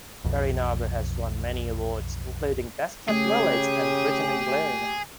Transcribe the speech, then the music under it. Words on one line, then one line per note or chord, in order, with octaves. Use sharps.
Berrynarbor has won many awards including Best Kept Village and Britain in Bloom.
B1 F2
C#3 A3 G4 G#4